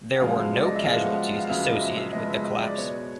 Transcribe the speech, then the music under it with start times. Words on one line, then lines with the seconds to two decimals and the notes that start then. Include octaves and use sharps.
There were no casualties associated with the collapse.
0.16 F#5
0.20 F#2 C#3 F3 G#3 B3 F5
0.56 D5
0.65 D#5
0.75 E5
0.84 F#2 C#3 F3 G#3 B3 F5
1.01 F#5
1.17 F#5
1.34 F5
1.44 F5
1.49 F#2 C#3 F3 G#3 B3 E5
1.66 D#5
1.82 E5
1.97 E5
2.13 F#2 C#3 F3 G#3 B3 D#5
2.30 E5
2.45 D#5
2.62 D5
2.78 B2 G#3 B3 C#5